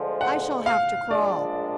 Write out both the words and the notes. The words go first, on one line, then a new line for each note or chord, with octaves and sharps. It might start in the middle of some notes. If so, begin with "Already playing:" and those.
I shall have to crawl.
Already playing: D2 D3 F3 G#3
F#5
F5
A#1 A#2 G#3 D4 D5